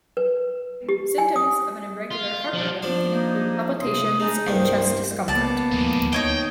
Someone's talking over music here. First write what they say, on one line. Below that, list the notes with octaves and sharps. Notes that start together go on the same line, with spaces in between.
Symptoms of an irregular heart rhythm can include palpitations and chest discomfort.
B4
G4
G#5
D#6
F4
F3 D4
F3 D4
A#3 D#4
C3 C6 D#6
G#3 D4 D#4
C2 G2 A#3 C5
C#2 A#3 B3 D5 A5
D1 D#2 A2 F3 G#3
D#4 C#5 D#5 G5